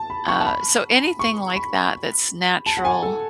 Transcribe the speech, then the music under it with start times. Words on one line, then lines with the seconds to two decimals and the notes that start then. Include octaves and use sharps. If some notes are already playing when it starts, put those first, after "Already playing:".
uh, so anything like that that's natural
Already playing: A5
0.10 B5
0.28 C#6
0.40 A5
0.46 B5
1.19 C#6
1.56 B5
2.66 A5
2.77 F#5
2.85 G#5
3.03 A4